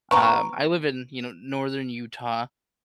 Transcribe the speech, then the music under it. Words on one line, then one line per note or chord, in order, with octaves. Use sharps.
um, I live in, you know, northern Utah,
B3 B4 A#5 C#6